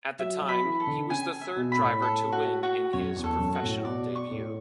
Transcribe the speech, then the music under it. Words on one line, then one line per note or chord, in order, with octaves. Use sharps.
At the time, he was the third driver to win in his Professional debut.
F#3 E5
F#3
B5
E3
A4
D3
C#3 G#5
E5
B2
B5
A2
A4
F#4
F#4
F#2 C#5
E2
A4
F#2
F#4
A2
B2 D5
C#6
A2